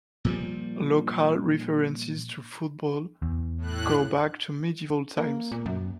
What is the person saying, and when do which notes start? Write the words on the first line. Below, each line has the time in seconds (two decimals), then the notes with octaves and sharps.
Local references to football go back to medieval times.
0.25 A#2 F3 G3
3.22 E2
3.58 A2 F#6
5.17 A#3
5.52 A#2
5.66 F#2